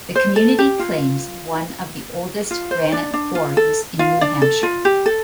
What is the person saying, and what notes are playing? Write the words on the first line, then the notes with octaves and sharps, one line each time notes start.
The community claims one of the oldest granite quarries in New Hampshire.
C5
A4
G4
F4
F4
C5
D4 D5
D4
F4
A4
F4 F5
D4 D5
A4
F4
G4
A4